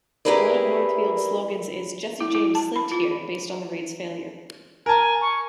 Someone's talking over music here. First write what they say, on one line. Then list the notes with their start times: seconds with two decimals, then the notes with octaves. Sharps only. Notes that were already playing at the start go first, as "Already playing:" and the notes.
One of Northfield's slogans is "Jesse James Slipped Here", based on the raid's failure.
0.25 E4 G4 G#4 A#4 B4 D5
2.20 E4
2.35 E4
2.55 A5
2.76 B5
2.92 F4
4.86 A#4 G#5 A5
5.22 C#6